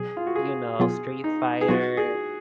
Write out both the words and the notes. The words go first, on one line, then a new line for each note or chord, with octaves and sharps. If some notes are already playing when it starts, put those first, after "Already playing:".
you know, Street Fighter,
Already playing: B2 F#3 G#4
F4
F#4
G#4
B2 F#3 B3 F4 G#4
D#4
G#4
B2 F#3 B3 F4 F#4
G#4